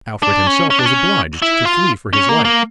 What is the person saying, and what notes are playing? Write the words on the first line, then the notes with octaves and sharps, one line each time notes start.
Alfred himself was obliged to flee for his life.
D4
C#4
C#4
D4
C#4
E4
F4
C#4
A#3
A#3